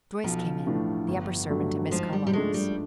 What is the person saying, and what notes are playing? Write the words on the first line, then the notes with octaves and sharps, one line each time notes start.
Joyce came in--the upper servant at Miss Carlyle's.
B1 F3
A2 E3 A3 D4
G1
G2 D3 F#3 A3
G#2 F3
G3
G3
F3 G#3 A3 D4
G3